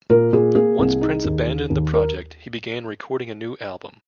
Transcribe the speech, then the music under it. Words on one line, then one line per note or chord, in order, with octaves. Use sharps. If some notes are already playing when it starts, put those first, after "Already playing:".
Once Prince abandoned the project, he began recording a new album.
A#2 A#4
A#2 G#4
A#3 G#4
C2
D#4
D#2
D#3
D#2
A#4